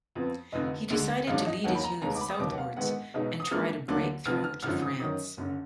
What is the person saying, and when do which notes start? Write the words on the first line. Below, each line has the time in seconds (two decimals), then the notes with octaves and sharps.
He decided to lead his unit southwards and try to break through to France.
0.15 F2 F3 B3
0.52 F1 F2 D3 D#5
0.90 D2 D3 G#3
1.27 G#1 G#2 F#3 D4 F5
1.46 D#5
1.64 D#2 D#3 F#3 A#3 F#5
1.75 B5
1.83 A#5
2.02 F1 D#2 D3 G#3 A#5
2.15 D6
2.21 B5
2.30 D#6
2.39 F1 D#2 D#3 F#3 D6
2.54 F#5
2.58 F5
2.76 A#1 G#2 D#3 G#3 B3 F#5
3.14 B1 B2 G#3 D#4
3.40 D#6
3.51 G#2 F3 A#3 D4 F6
3.88 D2 D3 F#3 A#3 D4
4.26 F1 F2 F3 F6
4.44 F6
4.63 G#1 F#2 D3 F3 F6
4.82 D#6
5.00 F#2 D#3 F#3 D#6
5.37 F#1 F#2 D3